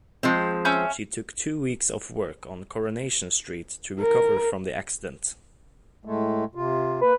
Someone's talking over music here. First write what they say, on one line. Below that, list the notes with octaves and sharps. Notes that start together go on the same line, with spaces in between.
She took two weeks off work on "Coronation Street" to recover from the accident.
F3 G#3 C4
C#4 E5 G6
A#4
A2 G#3 A3
C3 F4
A#3 B4